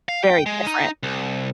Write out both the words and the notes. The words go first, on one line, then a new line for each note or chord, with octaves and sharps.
Very different.
F5
G5
G#3
D#4
C2